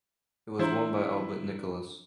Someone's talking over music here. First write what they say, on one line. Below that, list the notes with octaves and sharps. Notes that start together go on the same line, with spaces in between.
It was won by Albert Nicholas.
E3 D4 E4 C5 A#5